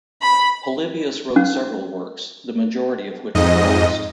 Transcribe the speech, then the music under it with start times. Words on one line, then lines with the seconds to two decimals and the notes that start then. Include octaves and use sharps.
Polybius wrote several works, the majority of which are lost.
0.21 B5
1.36 C#4
3.35 F2 G#2 D#5